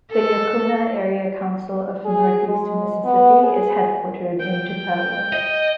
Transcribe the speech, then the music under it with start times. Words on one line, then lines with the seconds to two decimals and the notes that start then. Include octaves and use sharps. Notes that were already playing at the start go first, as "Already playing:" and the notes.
The Yocona Area Council of northeast Mississippi is headquartered in Tupelo.
0.12 A4
2.05 G#4
2.48 G#3
3.05 B3
3.43 G#4
4.39 G5
5.33 D#5